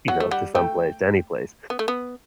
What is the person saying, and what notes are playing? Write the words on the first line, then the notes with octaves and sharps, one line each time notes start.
you know, to someplace, to anyplace.
F#3 F#5
A3
G3 F#5
A3 G5
B3
A3
B3